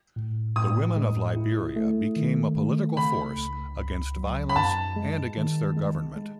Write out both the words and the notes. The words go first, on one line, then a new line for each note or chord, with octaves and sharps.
The women of Liberia became a political force against violence and against their government.
A2
A2 D#6
G#3
E4
A3
D#3
A3
C#3 B5
C#2
C#2
F#3
B5
F#2 A5
G#3
D#3
G#3
G#3